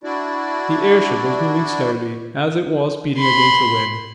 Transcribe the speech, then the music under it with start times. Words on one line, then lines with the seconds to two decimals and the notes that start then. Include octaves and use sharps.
The airship was moving slowly, as it was beating against the wind.
0.04 D4 E4 F#4 D5
3.18 B5 C6